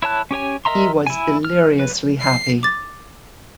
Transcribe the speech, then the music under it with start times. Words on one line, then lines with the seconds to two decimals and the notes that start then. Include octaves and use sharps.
He was deliriously happy.
0.02 E4 C#5 A5 F#6
0.31 C#4 G4 C#5 G#5
0.65 A#4 D#5 E5 A#5 C6
1.07 E4 G#5
1.45 F6
1.79 B4
2.21 C7
2.63 D6 A6